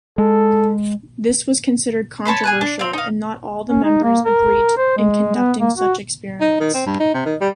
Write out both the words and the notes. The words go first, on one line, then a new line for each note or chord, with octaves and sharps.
This was considered controversial and not all members agreed in conducting such experiments.
G#3 A4
C#5 A5 B5 C6
G#4 G#5 F#6
D4
C4 F5
D#4 F5
C#4
D#4
A#3
A#4
C5
G#3
B3
A#3
F#4
D#4
D#3
C4
G2
D#4
C3
D#3
G3